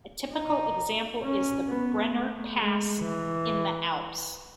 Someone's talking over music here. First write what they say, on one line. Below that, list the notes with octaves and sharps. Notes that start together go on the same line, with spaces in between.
A typical example is the Brenner pass in the Alps.
D#4
C#4
B3
A3
G#3
E3